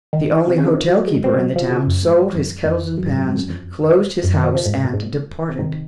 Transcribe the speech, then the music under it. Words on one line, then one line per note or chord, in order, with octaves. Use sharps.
The only hotel-keeper in the town sold his kettles and pans, closed his house, and departed.
D#3
C3
C#3
D#3
F3
F#3
F#3
G#3
C4
F#3
F3
C#3
F#2
G#2
F#2
F2
F#2
G#2
F#2
G#2
F2
F#2
F2
F#2
D#3
F3
F3
G#2
C3
A#2
G#2
A#2
C3
D#3